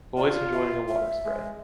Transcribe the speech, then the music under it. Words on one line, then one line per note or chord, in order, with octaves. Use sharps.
Boys enjoying a water spray.
F4 D5
E5
E5
G#3